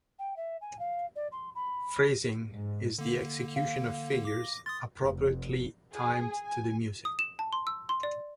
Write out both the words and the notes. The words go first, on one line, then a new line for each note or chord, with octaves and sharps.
"Phrasing" is the execution of figures appropriately timed to the music.
G5
E5
G#5
F5
D5
C6
B5
G#2
D3 A#3
F5
D6 A#6
C6 D#6 A6
F1
G#4
G#5
D#6
E7
A5
C6
E6
C6
D5